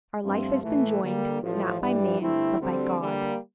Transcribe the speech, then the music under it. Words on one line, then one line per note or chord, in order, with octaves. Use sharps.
Our life has been joined, not by man, but by God.
G2 F3 A3 C4
A2 E3 A3
D3 G3 A#3
A1 A2 F3
G2 E3 G3
G2 D3 A3 C4 E4
D2 D3 G3 C4
D3 G3 A#3